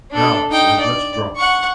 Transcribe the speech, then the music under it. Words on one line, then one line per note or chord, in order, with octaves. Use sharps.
"Now," I said, "let's drop."
D4 A4
D#4 G5
D5
F#5 C#6